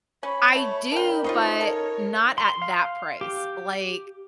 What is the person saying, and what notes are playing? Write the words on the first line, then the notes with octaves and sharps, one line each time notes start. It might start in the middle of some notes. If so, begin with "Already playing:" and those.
I do, but not at that price, like
C#4 C#5 B5
A3 C#5 B5
D4 A#4 G5
D#4 F4 C5 C#5
C#4 A4 A#4 C#5
C6
F5
G4